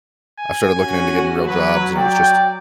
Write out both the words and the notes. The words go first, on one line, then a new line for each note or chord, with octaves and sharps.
I've started looking into getting real jobs, and it was just,
G#5
C#4 F#4
F#3 B4
D5 G5